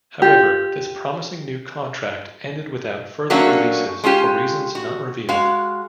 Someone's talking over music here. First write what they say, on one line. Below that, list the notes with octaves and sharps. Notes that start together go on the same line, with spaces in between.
However, this promising new contract ended without further releases for reasons not revealed.
F4 G4
F#3 A3 A#3 C#4 D4 F#4
G#3 C#4 F4 G4
F#4
G#3 F#4 F5